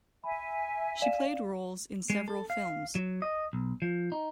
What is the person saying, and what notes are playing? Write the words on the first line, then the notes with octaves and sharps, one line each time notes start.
She played roles in several films.
E5 G#5 B5
D5 F5 E7
G#3
A4
F5
F#3
D#5
B1
F3
D#4